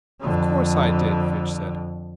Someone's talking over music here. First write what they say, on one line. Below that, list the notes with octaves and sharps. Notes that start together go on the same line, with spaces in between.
"Of course, I did," Fitch said.
F2 D3